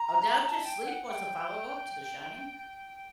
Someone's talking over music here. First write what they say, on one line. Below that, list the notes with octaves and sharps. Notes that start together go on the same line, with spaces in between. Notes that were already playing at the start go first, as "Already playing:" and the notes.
Oh, Doctor Sleep was a follow-up to The Shining?
Already playing: A#5
A#5
A5
G5
F#5
G5